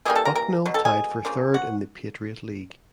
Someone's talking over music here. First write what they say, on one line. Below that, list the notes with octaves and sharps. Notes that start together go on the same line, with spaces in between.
Bucknell tied for third in the Patriot League.
E3 G3 A#3 G#4 G#5
A4 A5
A#4 A#5
A#4 A#5
B2 F#3
A4 A5
G#4 G#5
C#3 F3 A#3
F#4 F#5